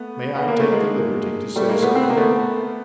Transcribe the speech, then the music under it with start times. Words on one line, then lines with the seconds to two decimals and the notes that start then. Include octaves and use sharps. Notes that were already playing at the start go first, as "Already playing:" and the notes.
'May I take the liberty to say something?'
Already playing: A3 B3
0.35 B3
0.48 A#3
0.60 A3
0.72 G#3 A#3
1.56 G3 A3
1.69 G#3 A#3
1.82 A3 B3
1.95 C4
2.03 B3
2.10 A#3
2.17 A3 B3